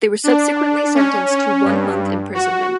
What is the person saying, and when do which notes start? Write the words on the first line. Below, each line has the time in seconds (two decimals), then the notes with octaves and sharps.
They were subsequently sentenced to one month imprisonment.
0.24 D4
0.94 C#4
1.26 C#4
1.64 G2
2.34 F#4